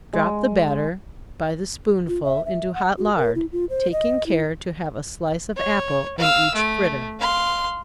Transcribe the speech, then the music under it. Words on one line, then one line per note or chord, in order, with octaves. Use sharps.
Drop the batter by the spoonful into hot lard, taking care to have a slice of apple in each fritter.
G#3
F4
E5
E5
F#5
F#4
A#4
E4
F4
C5
D#5
E4
C#5
F5 E6
A3
F5 C6